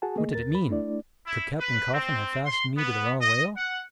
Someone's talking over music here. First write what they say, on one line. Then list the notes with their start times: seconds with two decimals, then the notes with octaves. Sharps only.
What did it mean? Could Captain Coffin have fastened me to the wrong whale?
0.02 F#4 G#4 F#5 G#5 A5
0.16 A3 A#3 G#4 D#5
0.33 D#2 A#4 A6
0.55 B5
0.69 A3 D4 E4 D5
1.25 E4
1.59 B4
1.92 C4
2.46 C6
2.77 B3
3.20 D#5
3.56 F#5